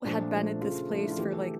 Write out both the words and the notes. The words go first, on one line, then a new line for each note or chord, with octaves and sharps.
had been at this place for like
A#2 F3 A3 D4
A#2 F3 A3
C#3 F3 A3 F4
C#3 F3 A3
D4
E4
F4
C#3 E3 A3 G4
A4